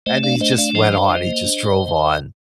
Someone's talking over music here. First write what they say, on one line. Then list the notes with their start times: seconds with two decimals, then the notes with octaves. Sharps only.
And he just went on. He just drove on.
0.06 A3 C5 D#5
0.23 D4 D5 F5
0.41 A3 C5 D#5
0.58 D4 D5 F5
0.75 F3 C5 D#5
0.93 D4
1.10 F3
1.27 A#3
1.44 D4